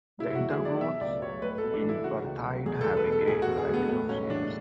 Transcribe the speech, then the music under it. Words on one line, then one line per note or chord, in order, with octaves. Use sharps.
The intergrowths in perthite have a great variety of shapes.
C#3 E4
E4
F#4
E2
G#4
F#3 D5
B2 E5
C#2 D5
F#3 C#5
A2 B4
A4
B1
D4
E3 E4
C#3 F#4
C#2
F#3
E2 G#4
A4
E1
B4
B2
A4
D2 G#4
F#4
E1
G#4
D3
B3
A2 B3
B1 C#4
E3 D4